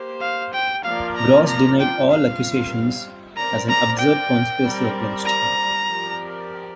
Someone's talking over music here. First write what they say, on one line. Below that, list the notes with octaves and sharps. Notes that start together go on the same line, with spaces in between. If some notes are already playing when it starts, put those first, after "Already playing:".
Gross denied all accusations as an absurd conspiracy against him.
Already playing: A#3 G4 C5
F5
G5
F3 A#3 F4 A#4 D5 F5
A#5
A#5
G5
G3 C4 F4 F5
C4 A#4 D5 A#5
A#5
G5
G3 C4 A#4 D5
A#5
F3 C4 G4 A#4 D5